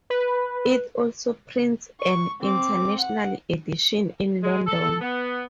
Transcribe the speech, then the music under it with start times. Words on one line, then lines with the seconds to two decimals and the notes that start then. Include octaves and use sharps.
It also prints an "international edition" in London.
0.10 B4
2.00 C#6
2.41 C4 D6
2.98 F#5
4.42 G#3
4.67 A4
5.01 B3